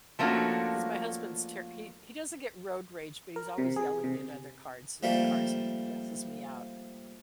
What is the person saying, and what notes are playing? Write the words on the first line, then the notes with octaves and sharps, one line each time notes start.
'Cause my husband's ter he he doesn't get road rage, but he's always yelling at other cards uh, cars, and it stresses me out.
F3 A3 A#3 C#4 D4 F#4
A#4
C3
G#4
C3
F3 G3 A3 A#3